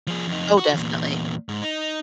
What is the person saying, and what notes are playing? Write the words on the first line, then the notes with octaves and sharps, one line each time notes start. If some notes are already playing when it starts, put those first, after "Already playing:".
Oh, definitely.
F3 G#4
F2 D#4
F#4
E2 A#2
G#2
D#4